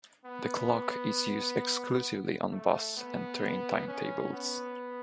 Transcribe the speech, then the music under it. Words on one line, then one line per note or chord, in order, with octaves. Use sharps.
The clock is used exclusively on bus and train timetables.
B3
A3
B3
C#4
B3